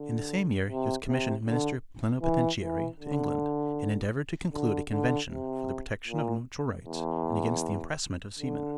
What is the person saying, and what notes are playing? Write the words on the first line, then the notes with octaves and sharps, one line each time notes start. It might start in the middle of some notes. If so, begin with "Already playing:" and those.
In the same year he was commissioned Minister Plenipotentiary to England, and endeavored to conclude a convention for the protection of neutral rights, and against the impressment of seamen.
Already playing: D3
C3
C3
D3
E3
E3
D3
D3
D3
C3
A#2
E2
D3